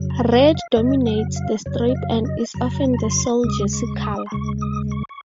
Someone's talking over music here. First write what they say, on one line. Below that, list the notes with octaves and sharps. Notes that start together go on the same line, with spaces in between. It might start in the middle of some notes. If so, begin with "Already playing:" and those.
Red dominates the strip and is often the sole jersey colour.
Already playing: F2 C#3 F#3
A#5
F#5
F5
F5
F2 C#3 F#3 D#5
F#5
F5
F2 C#3 F#3 C#5
D#5
F5
D#5
F2 C#3 F#3 A#5
A#5
C6
D#2 C#3 G#3 D#6
C#6
D#6
C6
D#2 C#3 G#3 C#6
D#6
C#6
C#6